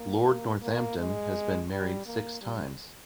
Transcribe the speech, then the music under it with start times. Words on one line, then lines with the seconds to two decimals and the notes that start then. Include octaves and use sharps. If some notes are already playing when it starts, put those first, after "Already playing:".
Lord Northampton has been married six times.
Already playing: A#3
0.62 A#3
0.98 G#3
1.69 G3
2.06 A#3
2.42 G3